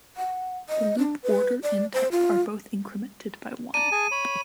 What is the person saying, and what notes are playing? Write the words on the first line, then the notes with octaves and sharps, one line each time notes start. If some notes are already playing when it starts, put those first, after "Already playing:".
The loop order and type are both incremented by one.
F#5
D#5
D4
B4
D5
C5
F4
D5 A5 A#5 D#7
G#4 G#5 A5
C#5 B5